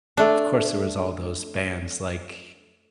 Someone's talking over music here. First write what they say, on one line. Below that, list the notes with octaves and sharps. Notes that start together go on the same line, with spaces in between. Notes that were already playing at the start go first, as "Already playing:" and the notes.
of course, there was all those bands like
A3 D4